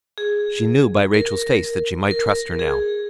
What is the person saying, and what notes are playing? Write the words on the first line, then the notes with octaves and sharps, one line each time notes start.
She knew by Rachael’s face that she might trust her now.
G#4
A#4
A#4
G#4